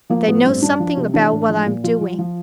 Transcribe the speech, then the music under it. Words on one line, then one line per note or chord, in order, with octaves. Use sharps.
They know something about what I'm doing.
F3 A#3
A2 B3
G2 C4
G2 D4
F3
C3
E3 D4
A2
F3
A#2
F3 F4
F3
F3